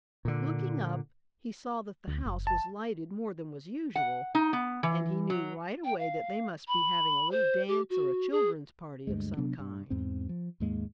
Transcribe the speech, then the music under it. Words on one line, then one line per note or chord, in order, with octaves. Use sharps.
Looking up, he saw that the house was lighted more than was usual, and he knew right away that they must be having a little dance or a children's party of some kind.
A#2 D3
D2
F#1
A5
F#5
D#4
B3
E3
F#3
G5
F5
B5
C5
G4
F#4
G#4
D2 G2 G#3
C3 F#3 B3 D4
G2
E2 G#2 C4
F3
D#2 G#2 G#3 A#3